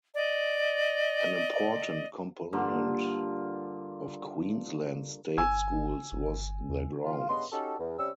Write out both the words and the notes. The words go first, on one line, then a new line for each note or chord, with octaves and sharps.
An important component of Queensland state schools was their grounds.
D5 D#5
G2 D3 A#3 F4
G1 G#5 E6 G#6
G1
D#2
F4
G2 C#3 B3 D#5 F#5 C6
C#4 D#4 F#4 G4 A4
E2
C3 G3 C#4 G5 E6